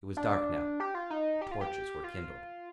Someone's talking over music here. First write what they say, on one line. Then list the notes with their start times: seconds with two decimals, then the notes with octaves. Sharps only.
It was dark now, and torches were kindled.
0.17 D4
0.80 G4
0.94 F4
1.10 D#4
1.41 G4
1.51 F4
1.61 G4
2.04 F4